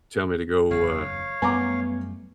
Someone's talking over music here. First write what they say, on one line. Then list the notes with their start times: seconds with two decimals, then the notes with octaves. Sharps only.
tell me to go, uh,
0.70 F#1 E2 C#5 F5
1.42 F#2 G3 A3 B3 G#5 A#5 D6